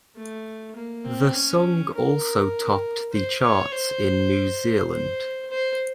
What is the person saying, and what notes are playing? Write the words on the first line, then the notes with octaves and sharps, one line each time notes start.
The song also topped the charts in New Zealand.
A3
A#3
C4
C#4
A#4
C5
C#5
C5
C5
C5